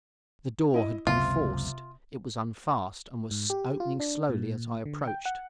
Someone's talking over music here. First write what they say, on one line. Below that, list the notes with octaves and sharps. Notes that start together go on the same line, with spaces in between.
The door had been forced; it was unfast and was opening slowly as I approached.
E4 D#5
F#1 C#2 C3 F4
G#2
G4
F4
D4
A#2
D3
G5
F#5